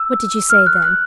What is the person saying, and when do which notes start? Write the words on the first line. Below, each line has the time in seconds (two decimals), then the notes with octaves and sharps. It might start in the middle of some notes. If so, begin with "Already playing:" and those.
"What did you say, then?"
Already playing: E6
0.50 F6
0.66 F#6
0.82 F#6